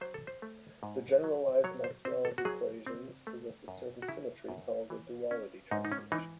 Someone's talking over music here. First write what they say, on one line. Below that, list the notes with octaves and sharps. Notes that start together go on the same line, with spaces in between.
The generalized Maxwell's equations possess a certain symmetry, called a "duality transformation".
F#3 C5
A4
C5
A3
G#2
F#3
F#3 C#5
C5
C4 C5
A4
F#4
F#3 G#4
C4
A3
F#2
F#4
C#3 E4
F#2
E3
C#4
G#2 D#4
D#4
C#4
E3 D#4